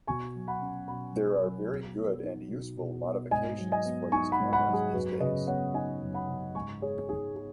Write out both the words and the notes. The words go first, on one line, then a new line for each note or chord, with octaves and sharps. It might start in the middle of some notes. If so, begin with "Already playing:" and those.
There are very good and useful modifications for these cameras these days.
B2 G#5 C#6
F#3
F#5 B5
C#4
B2 F#5 B5
B2
F#3
B2
B3
D#4
B2
B2
B3
G#2 D#5 G#5
F#3
D#5 G#5
B3
D#4 G#5 C#6
F#5 B5
G#2
F#5 B5
F#3
G#4
F#2 F#4 B4
C#3 B4 D#5
B3 C#5 F#5
D#4 D#5 G#5
F#2
F#5 B5
C#3
G#2 G#5 C#6
G#3 G#4 C#5
D#4 G#4
G#4